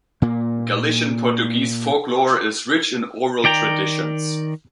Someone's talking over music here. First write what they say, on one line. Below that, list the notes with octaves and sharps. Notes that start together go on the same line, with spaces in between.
Galician-Portuguese folklore is rich in oral traditions.
A#2 A#3
D#3 D5 G5 A#5